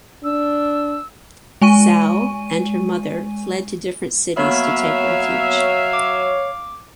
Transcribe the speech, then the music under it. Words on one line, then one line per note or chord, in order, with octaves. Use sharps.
Zhao and her mother fled to different cities to take refuge.
D4 E6
G#3 G#5 C#6 D#7
F#3 A#3 B3 C#5 E5 F5 B5
D6